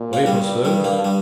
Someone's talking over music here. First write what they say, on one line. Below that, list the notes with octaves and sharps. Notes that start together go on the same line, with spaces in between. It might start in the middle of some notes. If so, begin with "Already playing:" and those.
"Wait or serve?"
Already playing: A#2
A#3
G2 G3
G3
A#3
G3